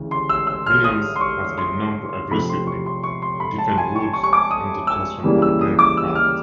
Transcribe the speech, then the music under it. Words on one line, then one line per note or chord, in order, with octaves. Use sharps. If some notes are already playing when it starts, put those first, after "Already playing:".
Williams has been known to aggressively defend Woods on the course from overbearing fans.
Already playing: D2 C#3 E3
C6
E6
E6
F6
D#6
C6
C#6
C6
C3 F3 A3 C4 B5
C6
C#6
C6
C#6
C6
B5
A5
G#5
C#6
C#6
C#6
D6
D#6
E6
C#3 E3 G3 A#3
E6
D#6
D6
E6
F6